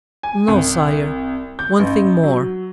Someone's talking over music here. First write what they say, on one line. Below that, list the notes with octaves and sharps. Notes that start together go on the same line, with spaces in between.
"No, sire, one thing more."
G#5
C2
G6
A1
F#3